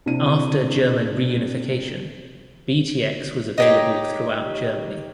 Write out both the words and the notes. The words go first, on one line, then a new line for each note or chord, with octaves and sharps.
After German reunification, Btx was available throughout Germany.
C3 D4 E4 D#7
D#4 G4 C#5